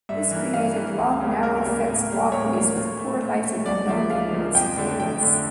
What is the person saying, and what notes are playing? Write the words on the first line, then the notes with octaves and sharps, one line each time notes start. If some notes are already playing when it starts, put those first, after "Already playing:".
This created long, narrow, fenced walkways, with poor lighting and no neighbourhood surveillance.
G2 E5
E3 A#3
G2 F5
E3 A#3
D2
C#3 G3 A#3
D2 A#4
C#3 G3 A#3
A2
G3 A#3
A2 C#5
G3 A#3
A#2
A3
A#2
A3
C#2 D5
C#3 F3 A#3 E5
C#2 F5
C#3 F3 A#3
F2 G5
D3 A3
F2 G5
D3 A3